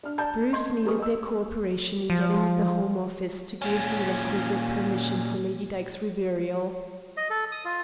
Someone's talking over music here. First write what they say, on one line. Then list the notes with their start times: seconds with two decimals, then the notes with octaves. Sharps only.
Bruce needed their co-operation in getting the home office to give the requisite permission for Lady Dyke's reburial.
0.03 D4 F6
0.18 D5 A5 A#5 G6
0.52 D#5 C6 G6 G#6
0.85 G4 G#4 A#4 B4 C#6 D#6
0.99 D#5 E6
2.10 F3
3.62 A#2 C#4
7.17 D#5
7.30 A4
7.52 D#6
7.65 F4